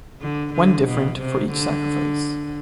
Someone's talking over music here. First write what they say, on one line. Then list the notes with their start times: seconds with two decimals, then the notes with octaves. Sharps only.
One different for each sacrifice.
0.21 D3
0.54 D3
0.86 B2
1.18 C3
1.50 D3